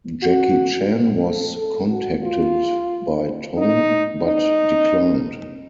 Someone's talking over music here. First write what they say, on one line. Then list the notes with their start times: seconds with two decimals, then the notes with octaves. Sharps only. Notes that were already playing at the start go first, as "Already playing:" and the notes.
Jackie Chan was contacted by Tong, but declined.
0.22 F#4
1.23 A4
1.56 A4
1.90 F#4
2.23 F4
3.58 D#4
4.24 D#4